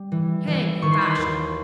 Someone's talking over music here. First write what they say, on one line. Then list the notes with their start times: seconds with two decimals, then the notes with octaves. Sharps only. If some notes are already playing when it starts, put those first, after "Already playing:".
'Hang fashion!
Already playing: G3
0.12 E3
0.47 E3
0.82 D#3 C#6
0.92 C6
1.01 B5
1.11 C6
1.18 D#2